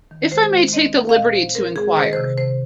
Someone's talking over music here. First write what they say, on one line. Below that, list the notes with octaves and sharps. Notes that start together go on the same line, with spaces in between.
If I may take the liberty to inquire.
D#3
G#3 C5
G#3
C4 D#5
C4
F5
A#2 D#5
C4 C5
C4 A#4
G#3 G#4
D#3 C5
D#5
C5
C3
C3 C5